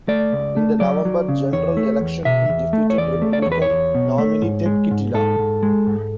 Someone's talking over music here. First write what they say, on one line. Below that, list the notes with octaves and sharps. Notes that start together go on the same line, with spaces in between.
In the November general election he defeated Republican nominee Ted Kittila.
A3 D5
C#2
A3
F#3 D5
F#3
C#3
E2 C#5
A3
E2
B2 E5
E2
A3
C#5
E2 D5
A3
D5
E2 C#5
B4
C#5
E2
B2
A3
G#2
G#3
G#2
G#2 A4
G#2
G#3
G#2